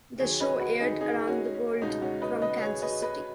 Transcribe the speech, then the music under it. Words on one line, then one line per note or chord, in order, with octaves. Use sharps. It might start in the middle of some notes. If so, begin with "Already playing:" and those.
The show aired around the world from Kansas City.
D#2 D#3 F#3 G#4 C#5
B4 D#5
F#4 B4
D#4 G#4
D#4 G#4
C#4 F#4
C#4
C#2 B2 G#3 D#4
C#4 F#4
B4 D#5
B4 D#5
G#4 C#5
B4 D#5
B4 D#5